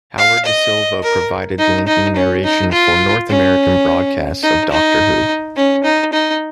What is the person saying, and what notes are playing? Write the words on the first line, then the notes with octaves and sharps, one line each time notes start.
Howard Da Silva provided linking narration for North American broadcasts of Doctor Who.
F5
D#5
A#4
D#4
D#4
C#4
D#4
F4
C#4
D#4
D#4
C#4
D#4
D#4